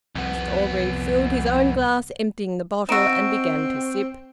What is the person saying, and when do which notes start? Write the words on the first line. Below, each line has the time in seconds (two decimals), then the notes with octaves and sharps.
Mr Orgreave filled his own glass, emptying the bottle, and began to sip.
0.15 C2 F2 B3
2.89 C4 D#4 F#4 E6 D7 E7